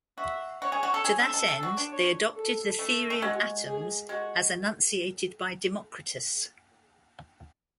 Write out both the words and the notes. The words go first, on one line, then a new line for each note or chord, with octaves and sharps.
To that end, they adopted the theory of atoms as enunciated by Democritus.
F#4 E5
F#4 C#5
G#4
F#4
A4
G#4
A4
A4
A4
F#4
D4
C#5
A4
A3
A3
G#3 F#4
G#4
G#3 F#4